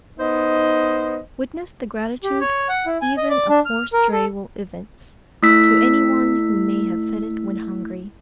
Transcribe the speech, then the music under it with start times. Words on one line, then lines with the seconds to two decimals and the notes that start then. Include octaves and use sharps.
Witness the gratitude even a poor stray will evince, to any one who may have fed it when hungry.
0.19 B3 D#4 C5 D#5
2.24 G4
2.41 C#5
2.69 F#5
2.86 E4
3.01 G#5
3.17 D#5
3.29 D5
3.49 D4
3.65 F6
3.93 A#4
4.12 A4
5.43 A3 E4 E6 B6